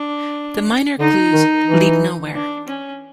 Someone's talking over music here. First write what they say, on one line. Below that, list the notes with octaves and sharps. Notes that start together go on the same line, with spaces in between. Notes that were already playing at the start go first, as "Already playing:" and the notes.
The minor clues lead nowhere.
Already playing: D4
D3 D#4
D#3
E3
D4
C#4